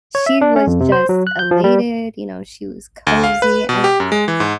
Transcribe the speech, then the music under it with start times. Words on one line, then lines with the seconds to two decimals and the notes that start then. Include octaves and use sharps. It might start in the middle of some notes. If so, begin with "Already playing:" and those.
she was just elated, you know, she was cozy, and
0.15 C#5
0.26 E5
0.41 D4
0.56 C#4
0.67 F2
0.80 C3
0.92 C5
1.09 F#3
1.27 F#6
1.39 G6
1.51 F3
1.64 G3
3.07 D2
3.23 F5
3.42 B4
3.69 B2
3.84 G4
4.00 F#2
4.12 G#3
4.28 E3
4.40 G#2